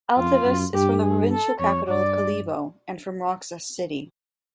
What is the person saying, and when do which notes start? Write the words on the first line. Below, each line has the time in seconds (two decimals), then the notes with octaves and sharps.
Altavas is from the provincial capital of Kalibo and from Roxas City.
0.16 F2 F4
0.45 F#2
0.74 G2 G4
1.03 G#4
1.31 A4
1.60 F2 C#5
1.88 G2 D5